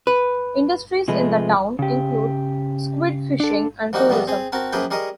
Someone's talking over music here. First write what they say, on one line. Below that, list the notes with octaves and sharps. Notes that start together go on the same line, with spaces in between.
Industries in the town include squid fishing and tourism.
B4
C3 F3 G#3 A3 B4
C#3 G4
D4 A4
F3 G3 A#3 D#4 F#4
E2 G2 A#2 F#3 G3 B3
C4 G#4
C4 F#4 A#4 A5
F#2 F3 A#3 G#4 B4 G5
G3 G#4 A#4 C#5 D#5